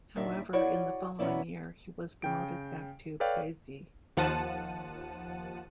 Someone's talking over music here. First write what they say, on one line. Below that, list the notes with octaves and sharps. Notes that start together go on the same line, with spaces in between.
However, in the following year, he was demoted back to "beizi".
D#2 A#2 D#3 D4 E5
E4 F#4 C#5 D5 F#5
B2 F#3 B3 C#4 E4 D5
C#3 G5 D7
A4 B4 C#5 D5 F5 G5
D#2 F3 F#5 A5 D#7